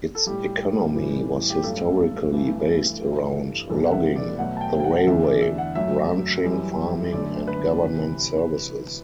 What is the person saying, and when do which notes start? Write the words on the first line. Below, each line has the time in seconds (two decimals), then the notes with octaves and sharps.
Its economy was historically based around logging, the railway, ranching, farming, and government services.
0.15 A4
0.26 A2 G3 G4
0.95 A2 E3 G3
1.50 G4
1.63 G2 F#3 A3 A4
2.32 G2 E3 A3
3.01 G2 E3 G3
3.70 E2 B2 G3 A4
3.86 F#5
3.93 E5
4.16 D5
4.38 B2 F#3 A3 F#5
4.57 A5
4.61 G5
4.80 G5
4.84 F#5
4.97 F#5
5.07 E2 D3 A3 E5
5.24 D5
5.41 E5
5.58 F#5
5.75 F#2 F#3 A3 E5
6.44 F#2 E3 G3
7.12 F#2 D3 A3 D5
7.47 B4
7.82 C3 E3